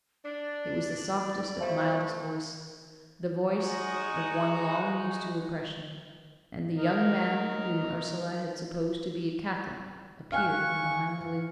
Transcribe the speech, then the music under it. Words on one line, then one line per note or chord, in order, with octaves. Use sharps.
It was the softest, mildest voice--the voice of one long used to oppression; and the young man whom Ursula had supposed to be a Catholic appeared from behind the loom.
D4 D5
B2 F3 A3
G#3 D#4 F#4 G#4 A#5 C#6
D#4 A#4
F5 G5 G#5 C#6 F6 F#6